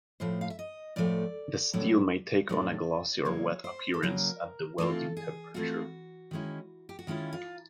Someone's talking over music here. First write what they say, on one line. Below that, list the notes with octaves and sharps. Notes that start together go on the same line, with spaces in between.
The steel may take on a glossy or wet appearance at the welding temperature.
A2 F3 A3 C5
F5
E5
D#5
A2 F3 A3 D5
A2 F#3 A3 D4
A2 F#3 A3 D4 D5
C#3 F#3 A#3 C#5
C5
A4
C#3 F#3 A#3 A#4
E3 A3 C4 F4 A4
G#4
E3 A3 C4 F4 F#4
D#3 G#3 C#4 E4
G4
F#4
D#3 G#3 C#4 E4 F4
F4